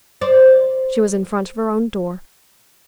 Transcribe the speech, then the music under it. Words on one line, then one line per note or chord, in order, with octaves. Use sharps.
She was in front of her own door.
C5 D5